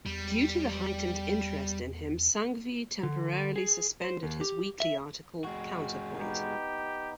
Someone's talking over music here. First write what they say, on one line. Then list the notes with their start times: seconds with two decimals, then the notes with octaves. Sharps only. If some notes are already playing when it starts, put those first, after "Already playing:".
Due to the heightened interest in him Sanghvi temporarily suspended his weekly article "Counterpoint".
0.06 E2 G3
3.03 D3
3.56 G#4
4.01 C5
4.23 D#2
4.41 G4
4.80 E5
5.45 G#3 F#4
6.19 B3 D#4 G4